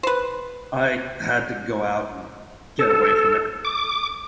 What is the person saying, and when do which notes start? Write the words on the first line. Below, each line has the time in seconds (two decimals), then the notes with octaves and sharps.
I had to go out and get away from it.
0.03 B4 C5
2.79 A4
3.65 D6